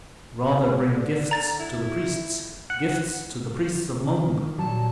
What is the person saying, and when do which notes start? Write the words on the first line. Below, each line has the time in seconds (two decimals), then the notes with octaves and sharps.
Rather bring gifts to the Priests, gifts to the Priests of Mung.
0.92 D3
1.31 A#5 A6
1.60 E4
2.70 F#5
4.04 D#3
4.59 A#2 F#3 G3 A5